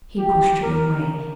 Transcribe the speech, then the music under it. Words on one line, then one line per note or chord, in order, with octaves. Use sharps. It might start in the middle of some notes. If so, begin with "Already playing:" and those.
He pushed her away.
G4
A#4